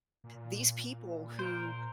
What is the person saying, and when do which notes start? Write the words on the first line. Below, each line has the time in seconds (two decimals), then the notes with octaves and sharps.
these people who
0.24 A#2
1.39 A#4 C5